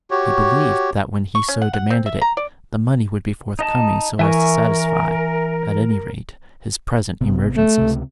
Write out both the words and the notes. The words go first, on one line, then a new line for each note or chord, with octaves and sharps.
He believed that when he so demanded it, the money would be forthcoming so as to satisfy, at any rate, his present emergencies.
F#4 G4 C#5
C#6
C#4
F#5
F#5
C4
E5
A#5
D5
D#4 D#5 A5
E3 A#4 E5 G#5 C#6
G#1 C3 B3
A3
C#2 C3